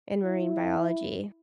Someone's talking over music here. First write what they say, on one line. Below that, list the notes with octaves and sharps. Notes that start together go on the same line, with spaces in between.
in marine biology,
E4